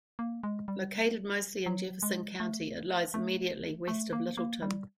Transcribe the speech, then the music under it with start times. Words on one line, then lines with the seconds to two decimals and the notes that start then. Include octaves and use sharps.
Located mostly in Jefferson County, it lies immediately west of Littleton.
0.19 A#3
0.44 G#3
0.68 G3
1.66 F#3
2.03 G#3
2.40 A3
3.14 A3
3.88 A3
4.13 A#3
4.37 A#3
4.62 G3